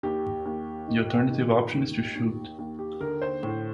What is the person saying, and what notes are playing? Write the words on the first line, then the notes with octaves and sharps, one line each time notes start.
The alternative option is to shoot.
D#2 G4
D#2
D#3
D#3
D#2
D#2
D#2
G4
D3 A#4
C5
A2